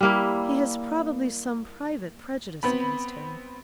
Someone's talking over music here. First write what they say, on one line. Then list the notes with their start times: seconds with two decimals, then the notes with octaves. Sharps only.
"He has probably some private prejudice against him."
0.01 G3 A#3 E4
2.63 B3 C4 B5